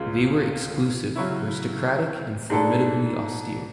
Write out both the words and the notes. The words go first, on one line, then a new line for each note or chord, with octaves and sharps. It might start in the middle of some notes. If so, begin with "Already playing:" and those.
They were exclusive, aristocratic, and formidably austere.
Already playing: C#2 C#3 G#3
C#3 F#3 C#4 E4
G#2 G#3 D4 A4